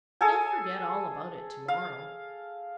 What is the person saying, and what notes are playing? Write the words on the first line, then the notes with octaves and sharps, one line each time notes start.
He'll forget all about it to-morrow.'
G#4 A4 G#5
F5